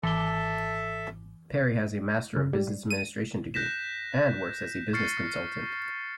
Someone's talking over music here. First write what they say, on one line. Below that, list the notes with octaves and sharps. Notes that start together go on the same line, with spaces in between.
Parry has a Master of Business Administration degree, and works as a business consultant.
G#1 E3 A4 E5 A5 G7
C#3
G3
D#7
F#6 G6 A#6 B6 E7
C#6 F6 A6 C7 C#7